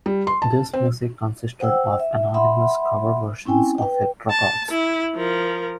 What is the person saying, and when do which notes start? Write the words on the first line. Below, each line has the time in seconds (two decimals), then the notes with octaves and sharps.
The music consisted of anonymous cover versions of hit records.
0.06 G3
0.27 C6
0.42 A5
0.73 C4
1.60 C5 F#5 G5 E6
2.00 E5
2.34 E5 F#5 B5 C6
3.45 C4 C#4 E4 G5 G#5
3.78 B4 G5
4.30 A5
4.71 E4
5.16 F3 A#4